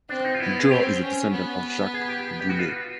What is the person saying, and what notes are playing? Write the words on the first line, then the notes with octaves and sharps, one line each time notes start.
Joe is a descendant of Jacques Goulet.
C4 D4
D#4
F4
B3 E4
G#4
C4 G4
C#4
B3
G#4
G4
G4
F#4
F4
F#4